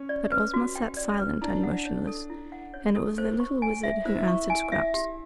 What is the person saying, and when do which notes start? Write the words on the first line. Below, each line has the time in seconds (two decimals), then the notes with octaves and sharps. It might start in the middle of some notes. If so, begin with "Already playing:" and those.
But Ozma sat silent and motionless and it was the little Wizard who answered Scraps.
Already playing: C#4
0.09 D5
0.32 B4
0.54 F#4
0.76 G5
0.97 D5
1.19 B4
1.42 D4 E4
1.63 F#5
1.85 C#5
2.07 A4
2.30 E4
2.52 F#5
2.74 C#5
2.96 A4
3.18 C5
3.40 C#6
3.62 G#5
3.83 E5
4.05 E4 C5
4.28 C#6
4.50 G#5
4.72 E5
4.94 G4